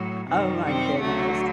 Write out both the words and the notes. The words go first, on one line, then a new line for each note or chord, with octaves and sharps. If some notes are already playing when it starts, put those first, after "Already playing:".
Oh my goodness.
Already playing: A2 F#3
F#2 C3 D#3 G3 C4
C3 C4
D2 D3 F#3 A3